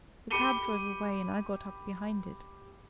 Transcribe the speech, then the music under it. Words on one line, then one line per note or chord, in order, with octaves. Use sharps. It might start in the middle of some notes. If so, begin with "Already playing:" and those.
The cab drove away, and I got up behind it.
G4 B5 D6 C#7 D#7 G7